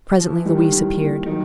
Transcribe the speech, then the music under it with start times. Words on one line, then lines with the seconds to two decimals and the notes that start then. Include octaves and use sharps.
Presently Louise appeared.
0.20 F3
0.32 E3
0.45 D#3 G3
0.72 E3
1.00 A#3
1.26 D#3 F#3